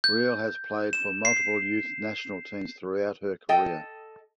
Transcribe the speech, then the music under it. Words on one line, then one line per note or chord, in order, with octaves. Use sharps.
Riehl has played for multiple youth national teams throughout her career.
G6
E7
C7
A4 D#5 G5